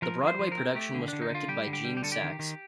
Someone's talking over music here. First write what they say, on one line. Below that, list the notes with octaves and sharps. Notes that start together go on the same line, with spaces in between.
The Broadway production was directed by Gene Saks.
F3 A#4
F3
C5
F3
A#4
C4
A3 G4
D3
D3 D4
D#4
D3 F4
G3 G4
D3
G4
G3
G4
D3 A4
G4
D#3
D#3